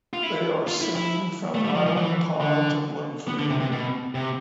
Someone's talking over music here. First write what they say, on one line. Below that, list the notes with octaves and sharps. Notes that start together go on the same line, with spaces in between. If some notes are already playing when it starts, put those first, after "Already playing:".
They are seen from Island Pond to Bloomfield.
F4
E4
F4
E4
E4
A3
G3
F3
F3
E3
D3
B3
D3
C3
C3
B2
C3